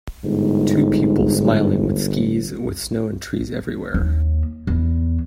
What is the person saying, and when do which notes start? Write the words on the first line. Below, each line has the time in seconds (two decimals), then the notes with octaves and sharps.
Two people smiling with skis with snow and trees everywhere.
0.24 G1 G#2
3.94 D#2
4.67 E2